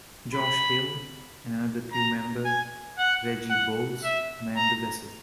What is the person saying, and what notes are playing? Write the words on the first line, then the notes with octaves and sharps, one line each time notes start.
Josh Hayl and another crew member, Reggie Boles manned the vessel.
B5
A#5
G#5
F#5
F#5
E5
A#5